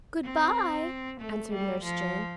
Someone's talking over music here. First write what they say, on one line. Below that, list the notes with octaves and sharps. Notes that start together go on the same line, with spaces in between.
"Good-bye!" answered Nurse Jane.
C4
A3
G3
F3